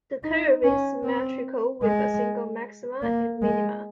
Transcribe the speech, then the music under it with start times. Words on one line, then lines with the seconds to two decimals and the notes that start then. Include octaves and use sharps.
The curve is symmetrical with a single maxima and minima.
0.24 D#4
0.64 C#4
1.04 C4
1.83 G#3
3.03 A#3
3.42 G#3